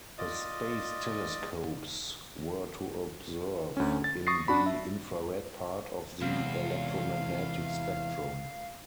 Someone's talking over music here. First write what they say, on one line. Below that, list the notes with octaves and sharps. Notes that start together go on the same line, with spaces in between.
The space telescopes were to observe in the infrared part of the electromagnetic spectrum.
F4 D5 D#5
D2 C#4
A6
C#6 D#6 A6 A#6 C7
D4 F#4 B5
E5
E2 C3 G#3 C4 F5